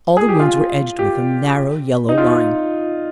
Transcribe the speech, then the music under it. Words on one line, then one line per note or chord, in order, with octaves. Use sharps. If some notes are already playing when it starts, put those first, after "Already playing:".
All the wounds were edged with a narrow yellow line.
G#4
G4
F4
G4
D#4
F4